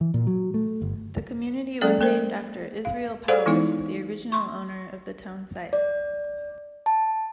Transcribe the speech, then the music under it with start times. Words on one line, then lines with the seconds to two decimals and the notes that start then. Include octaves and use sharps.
The community was named after Israel Powers, the original owner of the town site.
0.01 E3
0.14 A#2
0.27 F#3
0.54 A3
0.82 G1
1.81 F#3 G#3 A#3 C#4 A4 D5
2.01 A#3 A#4 C5
2.85 F5
3.28 G#4 A4 C5 D5 F5 F#5
3.46 E3 G#3 B3 D#4 E4 D6
4.32 C6 C#6
5.73 D5
6.86 A5